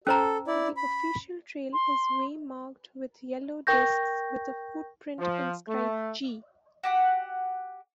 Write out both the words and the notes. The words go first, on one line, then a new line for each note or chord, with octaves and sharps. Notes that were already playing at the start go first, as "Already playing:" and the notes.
The official trail is waymarked with yellow discs with a footprint inscribed 'G'.
C#4 A4 C5 A#5
E4 D5
B5
C6
A#4 G5 C#6 G6 A#6
F3
A3
F#4 G4 F#5